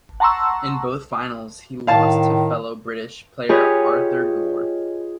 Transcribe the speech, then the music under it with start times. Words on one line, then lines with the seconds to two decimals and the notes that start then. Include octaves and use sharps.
In both finals he lost to fellow British player Arthur Gore.
0.20 F#5 A5 A#5 C6 C#6 E6
1.87 A2 D#3 F5 A5
3.49 F4 G4 G#4 B4 C#5 D#5